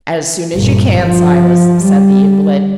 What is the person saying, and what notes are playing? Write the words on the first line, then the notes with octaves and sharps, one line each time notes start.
"As soon as you can, Silas," said the invalid.
G1 A#2
F3
G3